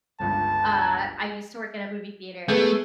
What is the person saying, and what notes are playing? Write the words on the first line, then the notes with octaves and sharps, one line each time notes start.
uh, I used to work in a movie theater,
G1 C#2 G2 A5
A3 B3 G#4 G6